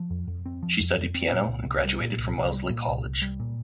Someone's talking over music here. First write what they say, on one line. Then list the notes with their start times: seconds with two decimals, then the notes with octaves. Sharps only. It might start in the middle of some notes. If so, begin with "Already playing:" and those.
She studied piano and graduated from Wellesley College.
Already playing: F3
0.10 F2
0.28 F2
0.46 C4
0.63 F3
0.80 F2
0.97 F2
1.15 C4
1.32 A#2
1.48 C2
1.66 C2
1.84 G3
2.01 A#2
2.18 C2
2.36 C2
2.53 G3
2.70 A#2
2.88 C2
3.04 C2
3.22 G3
3.40 A#2